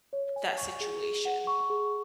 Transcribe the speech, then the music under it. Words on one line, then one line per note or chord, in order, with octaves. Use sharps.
that situation?
C#5
G#5
C#6
G#4
G#4
F#5
C#6
G#4